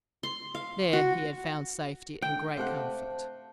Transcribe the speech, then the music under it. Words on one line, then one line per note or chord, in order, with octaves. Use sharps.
There he had found safety and great comfort.
C6
F5
F#4
D3 G5
C3 A3 C5 F5 F#5 A5